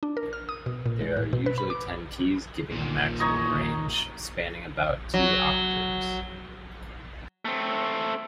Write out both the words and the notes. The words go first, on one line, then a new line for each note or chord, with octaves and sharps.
There are usually ten keys, giving a maximum range spanning about two octaves.
D4
A#4
F6
D#6
B2
A#2
G#3
A2
B2
B4
B5
D6
A#2 D#3
D#4 C#5 D#5
F#3
A3 C4